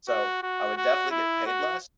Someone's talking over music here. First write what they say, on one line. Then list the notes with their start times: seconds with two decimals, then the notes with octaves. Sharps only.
so I would definitely get paid less,
0.08 F#4
0.43 F#4
0.77 F#4
1.11 E4
1.46 F#4